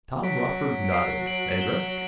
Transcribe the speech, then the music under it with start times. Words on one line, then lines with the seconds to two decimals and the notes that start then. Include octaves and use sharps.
Tom Rochford nodded and drank.
0.23 F#3 B6 D7
0.85 D7
0.92 C7
1.27 D7 F#7
1.54 F#7
1.61 E7 G7